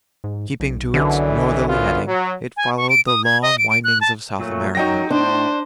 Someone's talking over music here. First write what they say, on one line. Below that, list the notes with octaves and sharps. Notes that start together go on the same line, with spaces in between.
Keeping to its northerly heading, it followed the long windings of South America.
G#2
B1
F#2 B2 D3 E3
F#2 B3 F4
F#3
G#5
C#6
D7
D#6
G#6
D#5
D7
D7
F#6
A5
A#2 F#3 A3
F#2 F#3 D#4 F#4 G5 A#5 A#6
A2 D4 C5